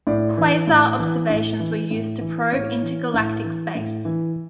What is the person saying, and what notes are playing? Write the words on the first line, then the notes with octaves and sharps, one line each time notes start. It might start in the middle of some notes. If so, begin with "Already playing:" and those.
Quasar observations were used to probe intergalactic space.
A2 D5
E3
A2
E3
A2
E3
A2
E3
A2 C#5
E3
A2
E3
A2
E3